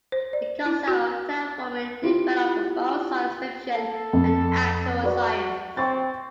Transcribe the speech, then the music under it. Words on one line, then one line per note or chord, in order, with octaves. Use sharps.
The concept of terraforming developed from both science fiction and actual science.
C5
D5
E4
F#4
E4 F4 G4
A4
F2
F#4 B4 D5
C4 G5 C#6 A6